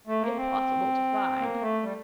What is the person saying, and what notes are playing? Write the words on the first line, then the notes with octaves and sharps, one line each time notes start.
"Impossible to find."
A3
A#3
C4
A#3
A3
G3